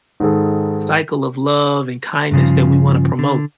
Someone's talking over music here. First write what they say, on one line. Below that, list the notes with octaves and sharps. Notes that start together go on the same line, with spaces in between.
cycle of love and kindness that we wanna promote.
G#2 D#3 G#4 A4
G2 C#3 F3
D3